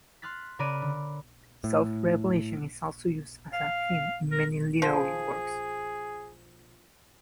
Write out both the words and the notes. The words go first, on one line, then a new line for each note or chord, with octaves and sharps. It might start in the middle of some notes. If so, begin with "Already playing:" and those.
Self-Revelation is also used as a theme in many literary works.
C6 F6 F#6 A6 B6
C#3 A#4 D5 B5 F#6 D#7
D3
A2
F5
A#4
F3 G#4